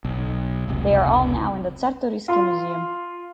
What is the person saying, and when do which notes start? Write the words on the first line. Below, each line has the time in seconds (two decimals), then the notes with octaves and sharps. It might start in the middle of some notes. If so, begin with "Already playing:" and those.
They are all now in the Czartoryski Museum.
0.05 B1
0.68 F1 C#2 C3
2.28 F4 C6